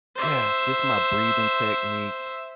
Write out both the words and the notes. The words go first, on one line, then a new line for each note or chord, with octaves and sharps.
yeah, just my breathing techniques,
C5 E5